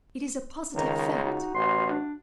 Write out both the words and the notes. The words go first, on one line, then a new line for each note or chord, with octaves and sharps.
It is a positive fact!
C#2 D#3 A#5
D#4 F#4
A1 C6
D4